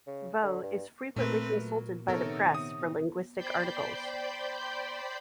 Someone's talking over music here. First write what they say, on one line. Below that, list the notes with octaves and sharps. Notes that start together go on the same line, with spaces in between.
Vaux is frequently consulted by the press for linguistic articles.
C#3
D3
G2
A#2 A3 C4 A#4 B4
F#3
C3 D#3 B3 D#4 A4 A#4 C#5
D#6
C5 D5 G5 B5 C6 G6